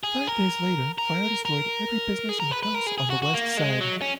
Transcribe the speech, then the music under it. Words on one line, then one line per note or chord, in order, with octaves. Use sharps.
Five days later, fire destroyed every business and house on the west side.
G#4
A#4
A#4
A#4
G#4
A#4
B4
B4
A#4
G#4
G#4
F#4
F#4
A#3
G#3
F#3
C#4